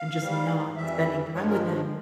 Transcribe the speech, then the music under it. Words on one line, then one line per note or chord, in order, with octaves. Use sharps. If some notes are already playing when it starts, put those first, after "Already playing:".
and just not spending time with him,
Already playing: F5
G#2 G3
F2 E3 G3 E5
G2 F3 G#3 C#5
A#4